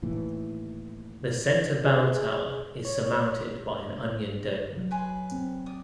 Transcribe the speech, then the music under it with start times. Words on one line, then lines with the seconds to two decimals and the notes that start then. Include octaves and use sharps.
The center belltower is surmounted by an onion dome.
0.02 D#2 A2 E3
1.86 G#4
2.85 C#5
4.77 F#3
4.91 B4 G#5 C6
5.32 C4
5.66 D5 D#6